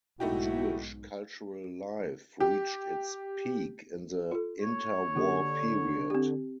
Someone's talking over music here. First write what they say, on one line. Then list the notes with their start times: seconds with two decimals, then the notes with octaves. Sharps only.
Jewish cultural life reached its peak in the inter-war period.
0.20 B1 G#2 A3 D#4 E4 F#4 G4
2.40 G4
4.31 F4 A4
4.62 C#5
5.15 D3 A#3 G4
6.10 C4 G4